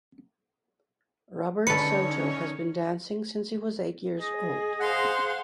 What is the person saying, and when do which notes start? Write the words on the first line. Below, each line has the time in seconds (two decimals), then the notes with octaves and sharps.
Robert Soto has been dancing since he was eight years old.
1.67 D3 C#4 D#4 A4 B4 C#5 C#7
4.21 G#4 D#5
4.81 C5 F5 F#5 C6